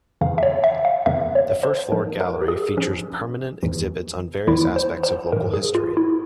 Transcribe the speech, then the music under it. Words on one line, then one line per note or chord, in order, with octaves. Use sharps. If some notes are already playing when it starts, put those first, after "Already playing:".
The first floor gallery features permanent exhibits on various aspects of local history.
F2 C#3 E3 F5
E5
C#5
E5
F5
F2 C#3 E3 E5
C#5
C5
G#2 F3 A#4
A#4
G4
G#4
G#2 F3 C#4
E2 E3
E2 E3 E4
C5
C5
G#2 E3 A#4
G#4
F4
E4